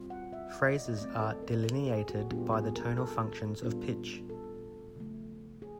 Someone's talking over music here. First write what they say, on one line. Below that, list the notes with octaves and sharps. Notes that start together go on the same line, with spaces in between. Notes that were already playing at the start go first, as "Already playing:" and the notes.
Phrases are delineated by the tonal functions of pitch.
Already playing: G3 C4 F4
F#5
E5
D#5
D5
D#5
F#3 A3 C4 D5
A4
A#4
A4
G#4
F#4
A#2 G3 B3 D4 F4 G4
G#4
A#4
A4
A#2 G3 B3 D4 F4
A4
C#3 F3 A3
G#4